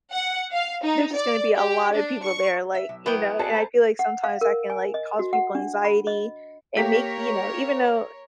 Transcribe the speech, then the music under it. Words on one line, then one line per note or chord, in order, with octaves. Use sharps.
there's just gonna to be a lot of people there, like, you know, and I feel like sometimes I can, like, cause people anxiety, and make the you know, even though
F#5
F5
D#4
D5
G4
D4
C#6
E5
B1
F#3 B3 E4 G5
F#4 G#4 A4 A5
C5 A#5 B5
F#5
F5
A#4
G#5
D#5
F#4
F#5
D4
B5
D#5
A#3 G4 A#4 C#5 B6